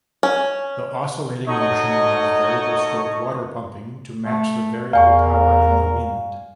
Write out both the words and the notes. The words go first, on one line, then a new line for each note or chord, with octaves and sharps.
The oscillating motion allows variable-stroke waterpumping to match the variable power in the wind.
C#4
A3 D#4 F#4 C#5 D#5
A3
E2 A#4 D5 F5 G#5 C#6